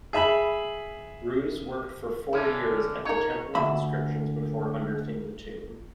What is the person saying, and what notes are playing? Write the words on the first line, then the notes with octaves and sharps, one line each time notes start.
Ruz worked for four years at the Temple of Inscriptions before unearthing the tomb.
G#4 E5 B5
D3 C#4 E4
D#4 A#4 C#5
D2 E5 B5